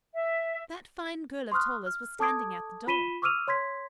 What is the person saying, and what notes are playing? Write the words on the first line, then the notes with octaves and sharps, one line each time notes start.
That fine girl of Toller's was standing at the door.
E5
C6 C#6 D#6 F6 F#6
F6
A4 A5 D6 D#6 G#6 D7
F4 B5 B6 D#7 E7 G7
C#6 D6 E6 F6 D#7 F7
C#5 C6 G#6 B6